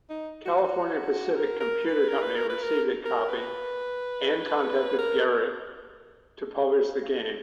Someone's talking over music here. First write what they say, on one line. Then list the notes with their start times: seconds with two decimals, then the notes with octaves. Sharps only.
California Pacific Computer Company received a copy, and contacted Garriott to publish the game.
0.10 D#4
0.46 F#4
0.64 F#4
1.36 A#4
1.61 A#4
1.85 B4
2.09 A#4
2.23 B4
2.36 A#4
2.49 B4
2.63 A#4
3.06 A#4
3.29 B4
4.99 A#4